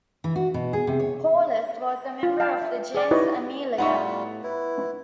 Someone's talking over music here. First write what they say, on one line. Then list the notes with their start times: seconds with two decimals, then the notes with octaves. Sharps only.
Paullus was a member of the gens Aemilia.
0.24 E3
0.36 F#4
0.54 B2
0.73 G#4
0.87 C3
1.00 C#5
2.23 F4
2.40 F5 G5 A5 B5
2.62 E5
2.95 G#4 D5
3.11 D#4 E4 G4 B4 C#5 D#5
3.78 A2 G3 B3 D#4 F4 E5 F#5 C#6
4.43 E4 B4